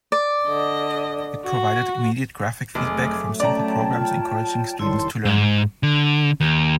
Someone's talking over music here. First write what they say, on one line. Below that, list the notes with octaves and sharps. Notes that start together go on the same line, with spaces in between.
It provided immediate graphic feedback from simple programs encouraging students to learn.
D5
D3 D#5
F#4
F1 F#3 A3 G#4 G#5 D6
C#4 C#5 D5 G5 A5 A#5
F4
F1 D#3 G3 E4 C#5 A5 C6
G#2
D3
D#2